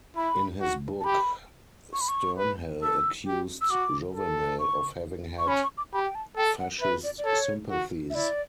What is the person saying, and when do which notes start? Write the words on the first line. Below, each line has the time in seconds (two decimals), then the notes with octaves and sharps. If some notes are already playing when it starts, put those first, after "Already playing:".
In his book, Sternhell accused Jouvenel of having had Fascist sympathies.
0.16 E4 B5
0.60 F#4
1.01 A5
1.04 G4 B5
1.93 C#6
2.01 B5
2.09 C#6
2.38 B4
2.82 A4 E6
3.27 G4
3.62 E6
3.70 F#4 D6
4.15 A4
4.60 C#6
5.39 C#6
5.48 C#4 B5
5.63 C#6
5.78 D6
5.93 G4 B5
6.04 G5
6.15 A5
6.37 A4 G5
6.60 F#5
6.81 B4 E5
7.04 D5
7.18 D5
7.25 A4 C#5
7.70 F#4
8.10 E5
8.15 E4 D5